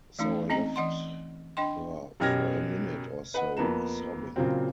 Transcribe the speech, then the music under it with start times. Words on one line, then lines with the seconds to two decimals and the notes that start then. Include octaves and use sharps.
So I left her for a minute or so sobbing.
0.19 E3 A3 C#4 D#4
0.50 C4 C#4 D#5 G#5 A#5
0.76 E3 D#5 F#5 C6
1.57 D4 D#5 G5 C6
2.20 F#2 B2 G4 F6 G#6 A#6
3.34 B4 D#5 F#5
3.57 F2 A#3 B3 A5 A#5 E7
4.36 A#2 C#3 F#3 C4